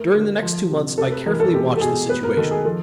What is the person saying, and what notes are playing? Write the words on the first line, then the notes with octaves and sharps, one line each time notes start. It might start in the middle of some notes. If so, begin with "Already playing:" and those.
During the next two months I carefully watched the situation.
Already playing: A3 A#4
D3
F3
C3
C3 A4
B4
E3 A#4
A4
G#3 G4
A4
B2 G#4
B3 B4
A#4
D#3 A4
G#4
F3 A4